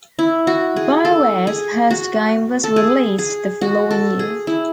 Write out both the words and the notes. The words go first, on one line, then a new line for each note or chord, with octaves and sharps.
BioWare's first game was released the following year.
E4
F#4
G#4
A4
G#4
F#4
A4
G#4
G#4
F#4
A4
G#4
E4